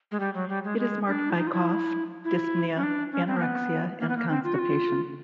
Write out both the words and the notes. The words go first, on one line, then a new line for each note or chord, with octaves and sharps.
It is marked by cough, dyspnea, anorexia and constipation.
G#3
G3
F#3
G3
G#3
G#3
D4
E4
D#4
F4
E4
E4
C#4
D4
C#4
C4
A#3
B3
A#3
B3
A#3
C4
F4
F#4
F4